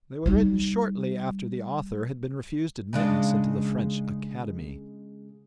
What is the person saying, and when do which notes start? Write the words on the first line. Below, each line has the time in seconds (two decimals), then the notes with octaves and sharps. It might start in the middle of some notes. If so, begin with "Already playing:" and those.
They were written shortly after the author had been refused admittance into the French academy.
0.26 G3 D#4
2.93 C#3 G#3 D4